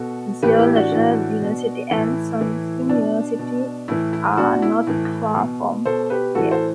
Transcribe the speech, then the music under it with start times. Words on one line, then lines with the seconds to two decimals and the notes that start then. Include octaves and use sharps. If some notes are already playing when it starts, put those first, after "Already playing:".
Seoul National University and Soongsil University are not far from here.
Already playing: B2 F#4 A4
0.43 A2 E3 G4 B4
0.59 E4 G4
0.75 D4 F#4
0.92 A2 E3
1.41 B2
1.91 A2 E3 E4
2.40 A2 E3
2.89 B2 D4
3.39 B2
3.88 A2 E3 E4
4.13 E4
4.37 B2 D4 F#4
4.62 E4
4.87 A2 E3
5.36 B2
5.86 B2 A4 C5
6.10 G4 B4
6.35 A2 E3 F#4 A4
6.51 A4 C5